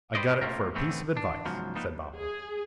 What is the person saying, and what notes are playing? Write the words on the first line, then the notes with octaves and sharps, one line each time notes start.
"I got it for a piece of advice," said Babo.
G4 A4 B4 C5 D5 D#5
A3 A#3 C#4 F4 G4 A#4
A2 E3 A3 B3 C4 D4
D4
E2 G#2 C#3 F3 F#3
F3 G3 A#3 B3 D#4
G#4